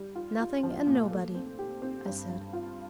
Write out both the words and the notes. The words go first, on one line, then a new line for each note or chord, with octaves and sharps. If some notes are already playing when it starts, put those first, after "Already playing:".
"Nothing and nobody!" I said.
Already playing: G3
F4
F4
F3
A#2
A3
C4
G4
C4
G2
G2
F4